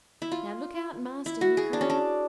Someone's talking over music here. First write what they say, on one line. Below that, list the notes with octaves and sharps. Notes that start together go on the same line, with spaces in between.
"Now, look out, master!" he cried.
E4
F4
E4
F#4
G#4
D4
C#4
D4